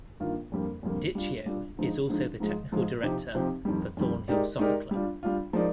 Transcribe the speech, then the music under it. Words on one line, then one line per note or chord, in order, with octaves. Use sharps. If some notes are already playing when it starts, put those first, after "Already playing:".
Dichio is also the Technical Director for Thornhill Soccer Club.
G2 D#3 A#3 F4
F2 D3 G3 A#3
F2 D3 G3 A#3
G3 D4 F4
G3 D4 F4
D3 F3 G#3 D#4
D3 F3 G#3 D#4
G#2 F3 G#3
G#2 F3 G#3
C3 F3 C4 D#4 G4
C3 F3 C4 D#4 G4
F2 D#3 G3
F2 D#3 G3
G#3 D#4 G4 A#4 D5
G#3 D#4 G4 A#4 D5
G3 D4 F4
G3 D4 F4
F3 G#3 D#4 A#4 D5